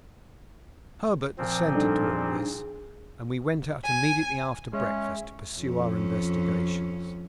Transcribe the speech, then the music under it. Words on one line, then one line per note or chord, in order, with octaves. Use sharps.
Herbert assented to all this, and we went out immediately after breakfast to pursue our investigations.
A#2 F3 C4
G3 D4 D#4 A4
G#4
G#5
G#3 C#4 C#5 E5
F2 C#4